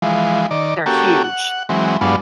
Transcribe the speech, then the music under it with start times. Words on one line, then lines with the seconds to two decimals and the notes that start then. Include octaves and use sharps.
They're huge.
0.02 E3 F3 G#3
0.51 D#3 D5
0.86 A#3 C#4 F#4 G4 A4
1.24 F#5
1.69 E3 F#3 G#3 C4
2.01 G2 F#3 G#3 B3 D4 F4